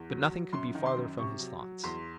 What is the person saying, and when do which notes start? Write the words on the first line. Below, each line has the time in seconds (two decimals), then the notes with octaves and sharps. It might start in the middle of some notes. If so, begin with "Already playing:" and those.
But nothing could be farther from his thoughts.
Already playing: E2
0.10 F#3
0.31 F#3
0.53 F#2 C6
0.75 D#3
0.85 C6
0.97 F#2
1.18 C3 C#6
1.40 F#3
1.61 F#3
1.84 E2 C6